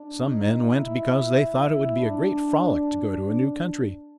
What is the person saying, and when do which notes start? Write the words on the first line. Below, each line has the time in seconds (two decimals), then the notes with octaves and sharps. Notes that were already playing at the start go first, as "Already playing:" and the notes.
Some men went because they thought it would be a great frolic to go to a new country.
Already playing: D4
0.30 D#4
0.72 E4
1.57 E4
1.99 D4